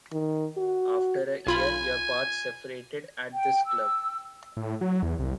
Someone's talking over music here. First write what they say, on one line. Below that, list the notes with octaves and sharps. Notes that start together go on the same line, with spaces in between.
After a year, your paths separated at this club.
D#3
F#4
B1 F4 G#5 B5
G5
E6
A2
F#3
E2
C2